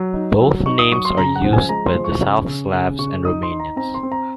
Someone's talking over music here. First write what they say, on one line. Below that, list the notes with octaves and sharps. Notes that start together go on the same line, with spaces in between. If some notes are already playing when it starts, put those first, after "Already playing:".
Both names are used by the South Slavs and Romanians.
Already playing: F#3
D#4
F#3
D#4 C#6
D#6
F#3 C#6
C6
C#3 A#5
F#5
F3
G#5
G#3 A#5
C6
F3
C#6
C#3
C#3
C#3
C#3 C#6
D#4 D#6
C6
D#4
A#5
C4 A#5
C6
C4
A#5